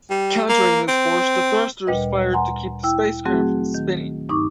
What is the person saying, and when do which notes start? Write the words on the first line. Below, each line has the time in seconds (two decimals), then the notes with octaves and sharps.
Countering this force, the thrusters fired to keep the spacecraft from spinning.
0.10 G3
0.49 A#3
0.88 C4
1.87 D2 A#2 G3 B4 D#5
2.33 F#5 G#5 A#5 C6
2.83 E4 G5 E6
3.25 F#3 A3 C4 F#4 G#4
3.74 D#3
4.29 G2 D#4 C#6 D6